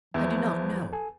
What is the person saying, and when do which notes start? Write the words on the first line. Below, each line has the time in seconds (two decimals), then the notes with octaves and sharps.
"I do not know."
0.14 E2 F3 E5
0.93 A4 G#5